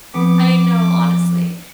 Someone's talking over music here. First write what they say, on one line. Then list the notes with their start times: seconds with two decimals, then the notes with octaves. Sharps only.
I know, honestly,
0.14 F2 B3 D6